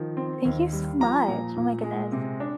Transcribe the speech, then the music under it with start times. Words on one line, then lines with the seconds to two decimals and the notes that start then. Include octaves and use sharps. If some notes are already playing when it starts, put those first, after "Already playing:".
Thank you so much. Oh my goodness.
Already playing: D#3 F3
0.17 C4
0.45 D#2
0.73 G3
1.00 F3 A#5
1.28 A#2
1.56 A#2
1.84 G#3
2.12 C3
2.40 D4